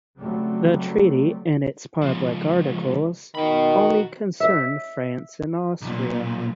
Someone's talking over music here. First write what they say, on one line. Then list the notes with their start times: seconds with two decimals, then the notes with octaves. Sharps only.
The treaty, in its public articles, only concerned France and Austria.
0.18 C#3 F#3 G3 A3 C4
2.02 C#2 F3
3.35 D#3 F#4 B5
4.40 E5
5.81 B1 A#2